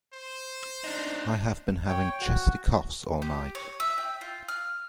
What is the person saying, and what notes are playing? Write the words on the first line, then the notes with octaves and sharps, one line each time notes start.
I have been having chesty coughs all night.
C5
D4 D#4
C#5 G5
F#4
G4
C#5
E5
G5
F4
F6